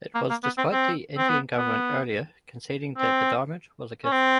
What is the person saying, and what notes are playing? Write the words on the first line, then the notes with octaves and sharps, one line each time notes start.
It was despite the Indian Government earlier conceding that the diamond was a gift.
A#3
A#3
B3
C4
C4
C4
B3
B3
C4
C#4
C4